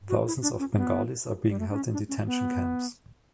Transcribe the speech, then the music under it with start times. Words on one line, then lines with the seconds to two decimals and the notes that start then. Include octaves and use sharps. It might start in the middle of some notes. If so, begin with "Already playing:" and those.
Thousands of Bengalis are being held in Detention Camps.
0.09 F#4
0.27 E4
0.42 D4
0.59 C#4
0.77 B3
1.49 G3
1.60 A3
1.71 D4
1.76 C#4
1.93 D4
2.09 C#4
2.26 B3